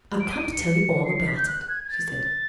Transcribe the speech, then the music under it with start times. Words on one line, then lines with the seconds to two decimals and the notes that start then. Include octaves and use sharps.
"I've come to tell you all about it," she said.
0.20 D7
0.31 D#7
0.41 D7
0.52 C#7
1.05 C7
1.16 C7
1.26 B6
1.37 G6
1.47 F#6
1.69 G#6
1.84 G#6
1.90 A6